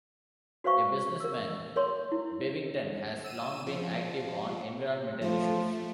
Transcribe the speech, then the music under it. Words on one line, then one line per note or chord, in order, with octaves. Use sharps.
A businessman, Bevington has long been active on environmental issues.
F#4 B4 C5 F5 C#6
A#4 E6
A#4 C#5 C6
E4
E6 D#7
F3
F3 A3